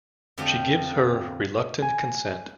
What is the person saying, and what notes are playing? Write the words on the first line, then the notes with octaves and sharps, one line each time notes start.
She gives her reluctant consent.
F2 D3 F3 A3 G4
G#5